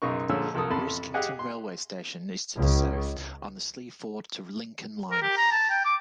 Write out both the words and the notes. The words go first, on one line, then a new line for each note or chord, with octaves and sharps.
Ruskington railway station is to the south, on the Sleaford to Lincoln line.
B1 F#2 C#3 D#4 A#4 C#6
A#2 D3 F3 G#3 C#5 E6
C2 F3 A4 A#4 D#6
A1 F2 A4 A5 B5 C6
G4 G#4 D#5 F5 F#5 G#5
C6
C#2
A#4
G4
A#5
A5
G5
D6